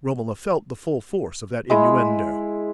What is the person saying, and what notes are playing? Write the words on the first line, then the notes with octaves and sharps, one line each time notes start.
Romola felt the full force of that innuendo.
G#3 E4